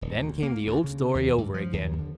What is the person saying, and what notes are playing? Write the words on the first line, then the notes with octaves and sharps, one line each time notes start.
Then came the old story over again.
D#1
D2
A#3
D2
C#3
D#2
G#2
F3
D#2
D3